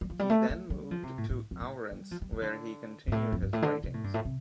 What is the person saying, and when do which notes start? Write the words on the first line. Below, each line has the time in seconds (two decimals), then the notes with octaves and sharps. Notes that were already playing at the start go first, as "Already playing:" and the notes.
He then moved to Ourense where he continued his writings.
0.01 G3
0.10 F3
0.19 G3
0.30 A3
0.51 A3
0.70 G3
0.91 F3
1.03 C3
1.18 A2
1.30 A2
1.51 F2
1.61 A2
1.91 G3
2.11 F3
2.22 G3
2.32 G3
2.42 D3
3.08 G2
3.12 A2
3.32 F2
3.42 G2
3.53 A2
3.62 D3
3.84 C3
3.94 A2
4.04 G2
4.14 A2
4.25 C3